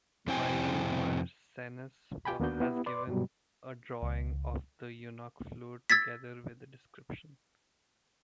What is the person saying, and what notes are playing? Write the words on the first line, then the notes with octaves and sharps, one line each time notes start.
Marin Mersennus has given a drawing of the eunuch flute together with a description.
F2 C3 E4 C5 G5 G#5
F4 G4 G5 G#5 B5
D#2 A#3 B3 D4 F#4 G6
B3 E4 G4
B4 D5 C6 D6
G2 B2 F#3 G3
C#2
E6 G#6 A6 B6